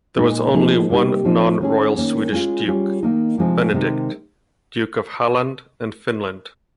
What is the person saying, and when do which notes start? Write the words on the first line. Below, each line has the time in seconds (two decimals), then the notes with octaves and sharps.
There was only one non-royal Swedish duke, Benedict, Duke of Halland and Finland.
0.17 A#2 G#3 D#4
0.53 F3 A#3 D#4 G#4
0.89 C3 G3 A#3 D#4 G4
1.25 F3 C4 D#4
1.60 D#3 G#3 C#4 G#4
1.95 D#3 A#3 C#4 G#4
2.32 G#3 C#4 F4 G#4
2.67 G3 C#4 F4 G#4
3.03 D#3 A#3 D#4
3.38 C3 F3 G#3 C4 D#4
3.73 C3 D#3 G#3